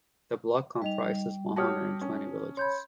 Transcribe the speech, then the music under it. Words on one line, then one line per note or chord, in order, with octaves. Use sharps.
The block comprises one hundred and twenty villages.
G3 D#4 D#5 F7
F#4 G4 C#5 A5 D#6 F6
C#4
C#5 B5 C6 G6 G#6